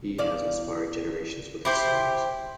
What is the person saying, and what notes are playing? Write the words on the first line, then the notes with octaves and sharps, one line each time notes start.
He has inspired generations with his songs.
E2 D5 F5
E4 G4 C5